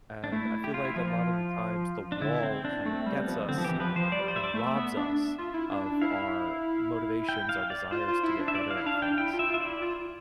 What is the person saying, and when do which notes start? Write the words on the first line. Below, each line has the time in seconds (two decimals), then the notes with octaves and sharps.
and I feel like a lot of the times, the wall kind of gets us and and robs us of our motivations our desires to get better at things,
0.24 D4
0.32 A3 E4
0.64 G4
0.74 F4
0.85 E4
0.95 F3 F4
2.12 D4
2.22 D3 E4
2.43 C4
2.65 D4
2.85 A3 C4
3.06 G3
3.17 B3
3.27 F3
3.49 D3 C4
3.58 F3
3.65 E3 G4
3.80 F3 B4
3.96 F3 C5
4.12 G3 D5
4.28 C5
4.36 E5
4.44 D5
4.54 A3
4.59 E5
4.75 B3
4.97 D4
5.38 F4
5.54 E4
5.70 D4
5.86 D4
6.01 E4 F5
7.29 G5
7.49 F5
7.70 D5
7.91 F4 C5
8.08 F4
8.23 E4
8.39 D4
8.48 E5
8.55 D5
8.71 F5
8.77 E4
8.86 D4 F5
9.02 G5
9.18 E4 G5
9.33 F4
9.39 E5
9.50 F4 E5
9.60 E4 D5
9.82 F4